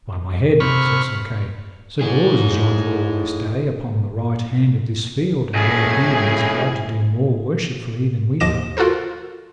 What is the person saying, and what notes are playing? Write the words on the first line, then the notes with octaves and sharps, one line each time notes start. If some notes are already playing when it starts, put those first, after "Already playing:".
By my head, said Sir Kay, Sir Bors is yonder all this day upon the right hand of this field, and there he and his blood do more worshipfully than we do.
C3 B5 C#6 F6
A2 D#4 G#4
C#2 A2 G#4
D#2 F3 D#5 D6 A#6 E7
F4 F#4 A4 A#4 C5